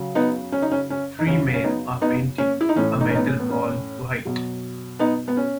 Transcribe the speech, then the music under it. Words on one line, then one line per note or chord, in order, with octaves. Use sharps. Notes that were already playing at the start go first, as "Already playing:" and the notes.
Three men are painting a metal wall white.
Already playing: C#3 F#3
B3 D#4
C#4
D#4
C#4
C#4
D#4
C#3 F#3 C#4 E4
C#4
B3 D#4
B3 D#4
C#4
E4
D#4
A2 E3 C#4
D#4
C#4
B3 D#4
C#4
B3
C#4
B2 F#3
B3 D#4
B3
C#4